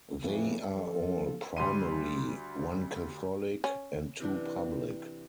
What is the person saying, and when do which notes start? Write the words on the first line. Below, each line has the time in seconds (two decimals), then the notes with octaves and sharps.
They are all primary, one Catholic and two public.
0.24 F2 A2 C#3 E3
0.75 F3 F4 A4
1.57 D2 G3 C6 D#7
3.64 C#4
4.20 C3 E3 D4